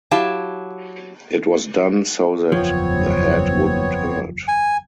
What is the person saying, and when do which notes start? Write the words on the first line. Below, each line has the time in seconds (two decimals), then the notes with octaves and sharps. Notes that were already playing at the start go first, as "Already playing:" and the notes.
It was done so that the head wouldn't hurt.
0.11 F#3 E4 G4 F5 A5
2.52 F#1 E2 F3 B3 C4 C#5
4.48 G#5